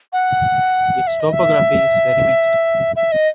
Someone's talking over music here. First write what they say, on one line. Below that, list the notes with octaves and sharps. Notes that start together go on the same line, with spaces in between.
Its topography is very mixed.
F#5
E5
D#5
E5
E5
D#5